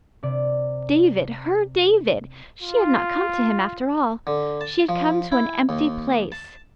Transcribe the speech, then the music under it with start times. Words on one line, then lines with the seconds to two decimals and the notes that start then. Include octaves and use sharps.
David--her David--she had not come to him after all; she had come to an empty place.
0.23 C3 D5
2.62 F4
4.27 D3
4.61 A5
4.89 F3
5.32 E4
5.69 D#2
6.32 A5